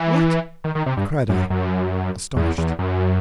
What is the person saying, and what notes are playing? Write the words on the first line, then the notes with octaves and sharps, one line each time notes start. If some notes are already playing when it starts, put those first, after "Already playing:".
"What?" cried I, astonished.
Already playing: E3
D#3
D#3
C3
G2
F#2
F#2
E2
E2
F#2